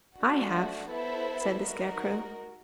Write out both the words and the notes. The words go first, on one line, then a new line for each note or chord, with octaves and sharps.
"I have," said the Scarecrow.
A3 D4 F#4
B3 E4 A4 C5 E5
D#4 F#4 A#4